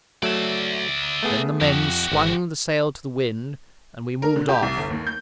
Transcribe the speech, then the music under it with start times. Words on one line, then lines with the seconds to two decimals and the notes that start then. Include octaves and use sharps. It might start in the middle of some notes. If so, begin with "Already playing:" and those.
Then the men swung the sail to the wind, and we moved off.
0.23 F#3 A3 D5 E5
1.23 A3 B3 G#4
1.61 F2 F#4 G4
2.12 G#1
4.22 A#4
4.36 D3
4.49 G4
4.62 C2
4.77 G1
4.90 D#2
5.07 G6